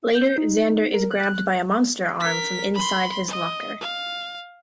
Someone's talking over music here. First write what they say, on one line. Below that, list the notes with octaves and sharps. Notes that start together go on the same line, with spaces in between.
Later, Xander is grabbed by a monster arm from inside his locker.
G6
D#4
A#4
F#6
A#4 B6
B5 C6
D#5
F5